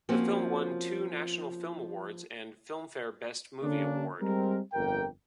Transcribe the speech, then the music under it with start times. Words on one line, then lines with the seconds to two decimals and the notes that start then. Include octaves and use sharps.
The film won two National Film Awards and Filmfare Best Movie Award.
0.09 F3 A#3 C4 C#4 F#4
3.63 D3 A#3 C#4 D4
4.21 G3 G#3 C4 A#4
4.73 G1 F2 G4 A#4 G5